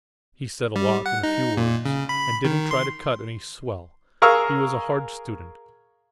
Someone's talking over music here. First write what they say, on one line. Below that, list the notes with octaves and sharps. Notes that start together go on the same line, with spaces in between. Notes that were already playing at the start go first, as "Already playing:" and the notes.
He said a lot in a few words, and didn't try to cut any swell. He was a hard student.
G3
F#5
D#4
A#2
C#3
B5
D#3
C6
G#4 A#4 F5 C#6 E6